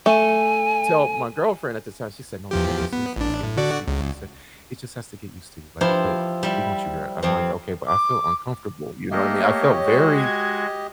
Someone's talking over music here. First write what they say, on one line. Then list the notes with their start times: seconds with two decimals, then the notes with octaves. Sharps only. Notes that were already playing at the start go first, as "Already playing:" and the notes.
tell my girlfriend at the time. She said, "No, no, that just means that he's getting used to you." She said, "He just has to get used to you, like, uh, but d we want you here." I'm like, "Okay, but I feel uncomfortable, you know what I mean?" I felt very
0.06 A3 G#5
2.51 E2 F3 G4
2.93 B3
3.16 A1 D4
3.43 A2
3.57 D3 F#4 D5
3.87 C#2
5.81 F3 E4 G4 C5
6.43 G3 E4
7.23 F2 C4
7.87 D6
9.11 A3 A#3 G4 D#5
9.43 C#5
9.85 G#3 F#4
10.17 G#6